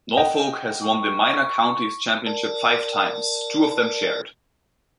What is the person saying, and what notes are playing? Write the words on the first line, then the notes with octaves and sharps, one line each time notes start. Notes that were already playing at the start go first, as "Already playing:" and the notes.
Norfolk has won the Minor Counties Championship five times, two of them shared.
D#5 F#5 G5
C#6
A#4 D5 A5